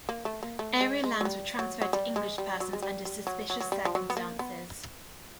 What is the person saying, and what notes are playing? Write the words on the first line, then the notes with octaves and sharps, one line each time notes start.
Area lands were transferred to English persons under suspicious circumstances.
A#3
A3
A#3
A3
G#3
G#3
F#3
G3
F#3
F#3
G3
G#3
G3
F#3
G#3
G3
G3
F#3
F#3
F#3
G3
F3
F#3
B3
A#3
B3